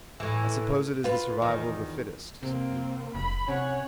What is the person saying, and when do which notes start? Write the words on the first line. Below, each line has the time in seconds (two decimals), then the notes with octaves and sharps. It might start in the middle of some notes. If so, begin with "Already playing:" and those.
"I suppose it is the survival of the fittest," said he.
0.20 A2 E3
1.04 F4 B4
1.42 E2 D#3
2.43 C3 A#3 C4
3.15 F1 B5
3.48 C3 C#4 C#5 F#5